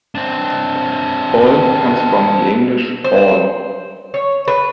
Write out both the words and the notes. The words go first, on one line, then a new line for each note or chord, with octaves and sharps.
"Ol" comes from the English "all".
C4 D4
C5
C#5
B4